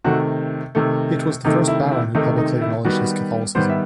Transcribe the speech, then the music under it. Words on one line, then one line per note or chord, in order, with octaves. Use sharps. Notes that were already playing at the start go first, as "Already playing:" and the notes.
It was the first Baron who publicly acknowledged his Catholicism.
C3 D#3 A3 F#4
C3 D#3 A3
C3 D#3 A3 D#4
E4
E4
C3 D#3 A3 D#4
D#4
E4
D#3 G3 B3 F#4
D#3 G3 B3 C5
E5